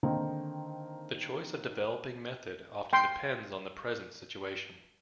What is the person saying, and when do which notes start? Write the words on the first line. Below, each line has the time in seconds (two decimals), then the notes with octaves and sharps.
The choice of developing method often depends on the present situation.
0.03 D3 D#3 A#3 C4 D#4
2.93 G5 C6